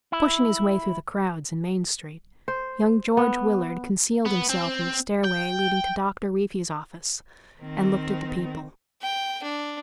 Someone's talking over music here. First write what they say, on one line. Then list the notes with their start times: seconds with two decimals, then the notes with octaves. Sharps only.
Pushing his way through the crowds in Main Street, young George Willard concealed himself in the stairway leading to Doctor Reefy's office and looked at the people.
0.12 E4
2.48 C5
3.17 B3
4.26 B3
4.50 C4
5.24 G5
7.61 D#3 C4
9.01 G5
9.43 D4